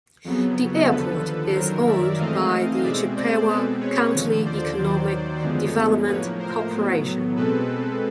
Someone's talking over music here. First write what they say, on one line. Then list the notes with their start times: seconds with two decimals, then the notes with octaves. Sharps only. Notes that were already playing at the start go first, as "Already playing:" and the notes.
The airport is owned by the Chippewa County Economic Development Corporation.
0.24 F2 C#3 F#3 B3
0.89 D#2 D3 F3 A4 B4
1.54 F#2 D#3 F#3 A#4 C5
1.87 D5 E5
2.19 G#2 E3 A3 C4 D#5 F5
2.83 B2 G#3 C4 D5 E5
3.16 C5 D5
3.48 B2 G#3 C4 A4 B4
3.81 B4 C#5
4.14 D#2 D3 F3
4.45 C5 D5
4.78 D#2 D#3 F#3
5.43 F#2 D3 F3 G#3 B3
6.07 A2 F3 A#3 B4 C#5
6.39 A#4 C5
6.72 A2 F#3 B3
7.36 B2 G#3 C4 A4 B4